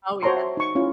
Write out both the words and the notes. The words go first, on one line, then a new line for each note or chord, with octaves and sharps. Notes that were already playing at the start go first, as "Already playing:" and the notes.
Oh, yeah.
F#4 C5 C#5 A5 A#5 C6
E5
D#4 C#6
C#4 E4 F4